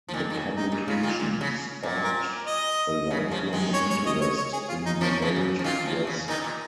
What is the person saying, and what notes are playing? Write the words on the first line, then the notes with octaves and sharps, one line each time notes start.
The publication sparked a lifelong interest in the Old West.
F3
A#2 D#3
D#3
C#3
D#4
A#2
C#3 F4
A#2 D#3
A#2
C#3
A#2
A#4
D#5
C#3
C#3 F3
D#3 G#3
C#5
C#5
D#5
C#5
C#5
G#4
F4
D#4
F3 A#3 C#4
C#3 F3
A#2
C#3
F3
A#2 D#3 F4
C#3 F3
C#3
A#2 D#3 D#4
A#2